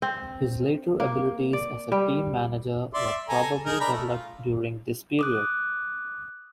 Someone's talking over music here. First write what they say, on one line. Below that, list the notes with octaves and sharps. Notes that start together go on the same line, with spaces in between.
His later abilities as a team manager were probably developed during this period.
C4
A#3
D5
G3
D5 E5 C6
A4 G#5 A#5
D#4 G#4 A#4
D4 A#5 B5
A3
F4
D6 D#6 F#6